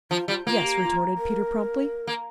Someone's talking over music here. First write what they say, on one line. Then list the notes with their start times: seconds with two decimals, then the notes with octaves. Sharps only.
"Yes," retorted Peter promptly.
0.11 F3 F4
0.28 G3 F4
0.46 A#3 F4
0.64 G4
0.82 F4
1.18 A#4
2.07 A#3